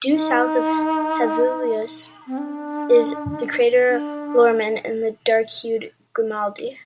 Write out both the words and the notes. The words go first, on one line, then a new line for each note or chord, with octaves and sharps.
Due south of Hevelius is the crater Lohrmann and the dark-hued Grimaldi.
D#4
C4
D4
D4